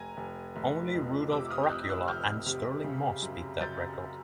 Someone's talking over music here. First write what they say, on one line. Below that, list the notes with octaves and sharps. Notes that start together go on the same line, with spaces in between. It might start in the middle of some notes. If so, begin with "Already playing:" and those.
Only Rudolf Caracciola and Stirling Moss beat that record.
Already playing: F1 G#5 A#5
F1
F1
F2
C3 D6 E6
D#6 F6
G6
F2 E6 F#6
E6 F#6
F1 F6 G6
C3
C#3
F#2
F#2 G6 A6